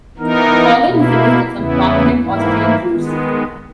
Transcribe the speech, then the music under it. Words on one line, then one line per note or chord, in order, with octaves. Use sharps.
The following is a list of some prominent Austrian Jews.
E3 B3 D#4 A#4
B2 A#3 E4
E2 C#3 E3 B3 E4
G#2 E3 A#3 E4
D#3 G#3 B3